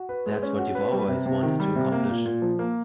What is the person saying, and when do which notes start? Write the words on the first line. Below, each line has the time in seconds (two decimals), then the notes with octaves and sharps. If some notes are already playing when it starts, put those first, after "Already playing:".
That´s what you´ve always wanted to accomplish.
Already playing: F#4
0.09 B4
0.26 G#3
0.43 C#4
0.59 F#4
0.75 B4
0.92 G3
1.08 C3
1.26 C3
1.43 D#3
1.60 G3
1.76 C3
1.92 A#3
2.10 A#2
2.25 A#2
2.42 F3
2.59 A#3